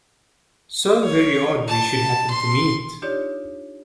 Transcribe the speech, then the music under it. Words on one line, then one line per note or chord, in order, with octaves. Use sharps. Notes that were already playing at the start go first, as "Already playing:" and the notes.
So very odd we should happen to meet!
C#5
A5
C6
D4 D#4 F4 G4 C#5 D5